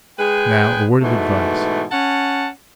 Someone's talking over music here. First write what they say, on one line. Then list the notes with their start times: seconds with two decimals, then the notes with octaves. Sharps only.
"Now, a word of advice."
0.19 G#3 G#4 B4 G5
1.02 G#2 B2 E3 A3
1.90 C#4 F#5 A5